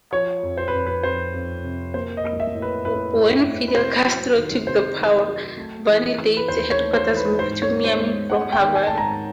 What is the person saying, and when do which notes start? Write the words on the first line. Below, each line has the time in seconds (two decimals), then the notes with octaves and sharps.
When Fidel Castro took the power, "Vanidades"' headquarters moved to Miami from Havana.
0.13 F3 C#5
0.43 F2
0.58 C5
0.68 B4
0.73 F2
0.86 B4
1.03 F2 C5
1.34 F2
1.64 C3
1.94 A#3 C5
2.17 D#5
2.25 A#3
2.40 E5
2.54 A2
2.62 B4
2.85 A2 B4
3.15 A2
3.46 A2
3.68 B4
3.75 C3 C5
4.06 F#3
4.36 D#3
4.67 C3 C5
4.96 D#3
5.27 F#3
5.57 A3
5.88 E3
6.18 E3
6.37 B4
6.48 D#2 C5
6.71 C#5
6.78 A3
6.93 C5
7.09 E3
7.17 B4
7.39 G#2 C5
7.62 C#5
7.69 B3
7.84 C5
7.99 G#3
8.30 G#3 F#5
8.52 G5
8.60 D#3
8.75 G#5
8.87 G#2 A5
8.98 A#5